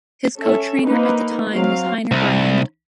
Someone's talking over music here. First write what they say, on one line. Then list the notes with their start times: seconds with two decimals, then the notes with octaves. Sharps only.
His co-trainer at the time was Heiner Brand.
0.36 C#4 A4 E5
0.85 A#3 C4 D#4 B4
1.53 F#3 C4 F5
2.11 C2